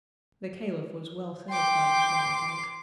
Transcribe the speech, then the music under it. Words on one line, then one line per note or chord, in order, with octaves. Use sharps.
The Caliph was well satisfied with my report.
G5 C6 D6